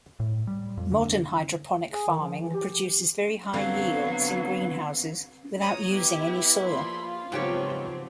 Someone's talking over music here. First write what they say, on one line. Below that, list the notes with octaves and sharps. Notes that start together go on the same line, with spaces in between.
Modern hydroponic farming produces very high yields in greenhouses without using any soil.
A2
G3
F2
D3
G#4
D#3
F3
E3
G4
D3 F#3 B3 C4 F5
C#5 A#5 D#6
B3 E4 G4
F3 A#3 D5 B5 C6
F4
G#2 C#3 F3 F#3 B3 C4 G4 C#5